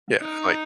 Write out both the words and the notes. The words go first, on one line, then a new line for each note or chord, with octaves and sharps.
Yeah, like
D#4